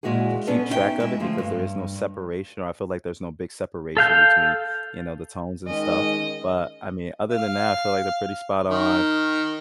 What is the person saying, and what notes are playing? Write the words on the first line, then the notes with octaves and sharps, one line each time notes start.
k keep track of it, because there is no separation, or I feel like there's no big separation between, you know, the tones and stuff, but, I mean, other than that, I feel like they're pretty spot on.
A#2 F3 G#3 E4 F#4 G#4
B3 C#4 D4 A4 B4
C#4 D#4 E4 E5 G5
G#3 E4
D3 F3 A3 F4
G2
A4 F5 G6
D#3 G#3 C#4 D#5
F5
D#3